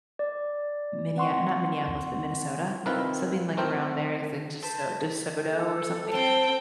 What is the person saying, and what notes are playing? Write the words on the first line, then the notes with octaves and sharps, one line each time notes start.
Minneap not Minneapolis, but Minnesota. Something like around there. It's like DeSo DeSoto, or something.
D5
C4 F#5 C6 C#6
C2 D#3 C4 E4 F4 B4
A3 C4 A#4 G5
B4 C5 A5
A4
C4 G5 A5 C6